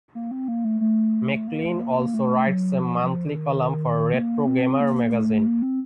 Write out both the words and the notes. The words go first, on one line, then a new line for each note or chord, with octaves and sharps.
Maclean also writes a monthly column for "Retro Gamer" magazine.
A#3
C4
A#3
A3
A3
A#3
A3
A#3
A#3
A3
F#3
F3
F3
D#3
A#3
C4
A#3
A3
A#3
C4